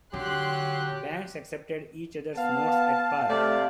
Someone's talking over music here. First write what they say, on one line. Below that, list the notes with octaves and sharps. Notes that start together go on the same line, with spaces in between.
Banks accepted each other's notes at par.
D3 F#3 G4 C6 F#6
B3 F5 A5
C3 A3 D5